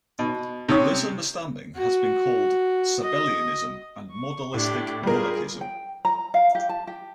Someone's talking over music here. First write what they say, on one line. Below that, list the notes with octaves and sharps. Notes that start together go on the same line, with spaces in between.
This understanding has been called Sabellianism and modalistic monarchianism.
B2
C3 C#4 C#5 D#6
F#4
D#5
C#6
A2 D4 G4
G3 F4 G#4 A#4
G5
A#5
F5
G4
A5
G4